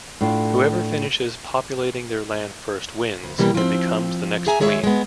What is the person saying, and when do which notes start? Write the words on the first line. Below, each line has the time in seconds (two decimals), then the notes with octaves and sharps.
Whoever finishes populating their land first wins and becomes the next Queen.
0.21 A2 D4 F4
3.23 D2
3.38 B2 E3 G3 A#3 G4
3.55 F3 C4
4.47 G#4 E5 G#5 A#5
4.60 D#3 G#3 G#4 C#5 D#5 E5
4.83 G#3 B3